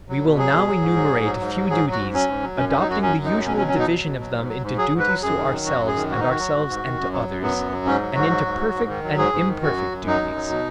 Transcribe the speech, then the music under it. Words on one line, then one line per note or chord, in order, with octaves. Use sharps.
We will now enumerate a few duties, adopting the usual division of them into duties to ourselves and ourselves and to others, and into perfect and imperfect duties.
F#3
B2
F#3 G#4
B2
F#3
G#2
F#3
G#2
F#3
G#2
F#3
G#2 G#4
F#3
F#4
G#2
F#3 C#4
G#2
F#3
F#2 C#4
C#4
F#3
D#4
F#2 F#4
F#3 C#4
F#2
D#4
F#3
B2 C#4
C#4
F#3
C#4
B2 D#4
F#3
B2
F#3
G#2
F#3
G#2
F#3 G#4
G#2
B4
F#3
F#2 G#4
D#3
F#3
F#2 F#4
F#2
G#4
D#3
G#2 F#4
D#4
D#3 F#4
F#3
G#2
G#2
D#3
F#2
F#3
F#2
F#3 B3
F#2
F#3
G#2 C#4
F#3
G#2 F#4
F#3
G#2
F#3
G#2
D#3
F#3
G#2 G#4
G#2
D#3
F#2 F#4
F#3
F#2
F#3 D#4
F#2
F#3
B2